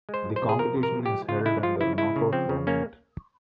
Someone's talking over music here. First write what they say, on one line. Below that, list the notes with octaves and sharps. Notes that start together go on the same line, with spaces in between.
The competition is held under knockout format.
G#3
C5
F3
C5
C3
G#4
F3 A#4
C3
A#4
F3
G4
G#3
C#3 F4
G#3 E4
F3 F4
C#3 E4
G#3 E4
C#3
F3 C4
C#3
A#3 C#4